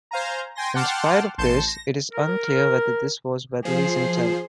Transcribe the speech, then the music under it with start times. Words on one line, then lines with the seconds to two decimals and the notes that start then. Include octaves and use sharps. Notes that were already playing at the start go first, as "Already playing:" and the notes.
In spite of this, it is unclear whether this was Weatherly's intent.
0.11 C5 F5 G#5 A#5
0.55 G5 G#5 C6 A#6
0.75 F#5 G5 A5 C6 D6 F6
1.38 A1 A5 C6 G6 C#7 E7
1.67 A#6
2.13 A#4
3.65 F3 G#4 C5